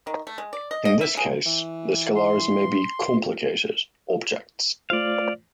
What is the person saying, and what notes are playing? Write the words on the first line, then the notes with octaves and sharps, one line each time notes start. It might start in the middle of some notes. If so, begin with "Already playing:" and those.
In this case the "scalars" may be complicated objects.
D#3
A3
G#3
D5
D#5
D#5
E5
G#4
E3
C6
A3 F4 C5 D5 F5